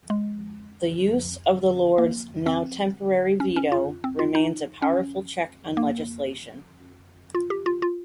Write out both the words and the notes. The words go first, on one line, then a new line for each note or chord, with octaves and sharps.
The use of the Lords' now temporary veto, remains a powerful check on legislation.
G#3
A#3
C4
C#4
C#4
F4
C4
F4
D#4
C#4
A#3
F4
G4
F4
F4